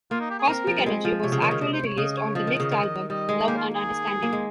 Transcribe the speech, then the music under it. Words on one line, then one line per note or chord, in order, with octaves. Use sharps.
"Cosmic Energy" was actually released on the next album, "Love and Understanding".
A#3 F4
D#4
G4
G#4
C4 A#4
F3
G3
G#3
F3
C3 C#5
C#3
D#3 C#5
C#3
C3 D#5
C5
C#5
C#3 D#5
C#5
F3 D#5
D#3
D#5
C#3
D#3
G3 D#5
G#3
A#3 G4
F4
G#4
A#3
G#3